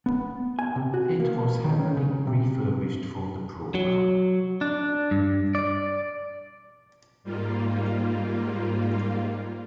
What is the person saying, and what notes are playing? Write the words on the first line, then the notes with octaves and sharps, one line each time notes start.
It was heavily refurbished for the programme.
B3
G#5
C3
F#4
A#3
D#3
C#4
C#3
C3
F#3
D4
G2
D5
G#2 G3 A#3 F4